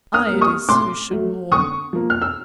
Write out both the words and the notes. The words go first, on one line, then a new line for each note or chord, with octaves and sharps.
I it is who should mourn.
D#6 F6
A#3
G3
C#6 D#6
A2 C6 D6
F#3 A3
D3 C#6 D#6
F3 A#3
F6
E6